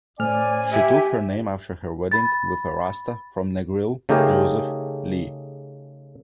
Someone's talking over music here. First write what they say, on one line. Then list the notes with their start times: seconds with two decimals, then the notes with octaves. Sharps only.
She took her name after her wedding with a rasta from Negril, Joseph Lee.
0.20 A2 A3 C#4 C5 D5 G#5 F6
0.72 G4 E5
2.12 B5 A6
4.09 C#3 A3 D#4 G4 G#4 A#4